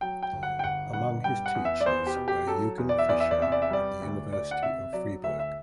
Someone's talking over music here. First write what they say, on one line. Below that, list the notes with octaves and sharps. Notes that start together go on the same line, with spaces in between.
Among his teachers were Eugen Fischer at the University of Freiburg.
F#3 G5
G5
G1
F#5
G5
G1 F#5
G2 F#5
G3 G5
F#5
E2
E5
D5
E2 C5
G4
B2
G4
F#3 A4
E2
D5
E5
E2 D5
E5
D5
C3 E5
D5
E5
G3 D5
D2
D2 D5
F#5
C3 E5
F#3 D5
D2 E5
E5